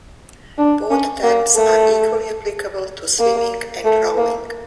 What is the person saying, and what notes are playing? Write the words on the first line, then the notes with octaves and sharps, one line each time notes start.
Both terms are equally applicable to swimming and rowing.
D4
C#4
A#3
A3
A#3
A3
A#3